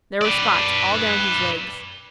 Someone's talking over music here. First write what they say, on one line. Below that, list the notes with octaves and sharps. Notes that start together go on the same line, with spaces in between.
There were spots all down his legs.
B4 D5